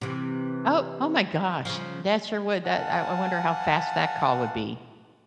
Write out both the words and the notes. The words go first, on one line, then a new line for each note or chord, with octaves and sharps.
Oh Oh, my gosh, that sure would. That I I wonder how fast that call would be.
C3 E3
C#3 F3
F5 F#5 G#5 A5